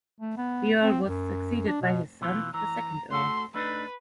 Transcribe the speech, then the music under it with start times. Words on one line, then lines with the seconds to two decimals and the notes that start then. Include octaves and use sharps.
The Earl was succeeded by his son, the second Earl.
0.21 A3
0.38 B3
0.82 C4
1.07 F#2
1.68 D4
1.81 B2
2.21 B2 E3 F4
2.54 E3 A#5
3.12 A3 F#4 A4 C6
3.54 A3 D4 D#4 B4